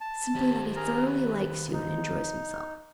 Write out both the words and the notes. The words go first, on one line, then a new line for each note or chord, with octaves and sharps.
Simply that he thoroughly likes you and enjoys himself.
A5
D#3 G4 C5
G#4 A#4 A#5
B4
D#4